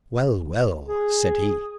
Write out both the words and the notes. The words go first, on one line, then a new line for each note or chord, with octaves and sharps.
"Well, well!" said he.
G#4